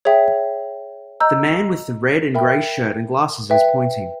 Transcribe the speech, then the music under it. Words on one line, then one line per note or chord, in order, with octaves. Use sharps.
The man with the red and gray shirt and glasses is pointing.
G#4 C#5 E5 G5
D#5 A#5 E6 G6
A#4 E5 G5 B5
B4 E5 G5